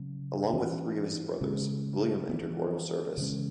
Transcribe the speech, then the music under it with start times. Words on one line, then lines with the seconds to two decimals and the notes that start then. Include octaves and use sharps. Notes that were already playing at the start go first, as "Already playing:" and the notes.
Along with three of his brothers, William entered royal service.
Already playing: C#3 F#3 C#4
0.54 E3 C#4
1.41 C#3 G#3 C#4
2.29 E3 B3
3.18 C#3 E3 G#3 C#4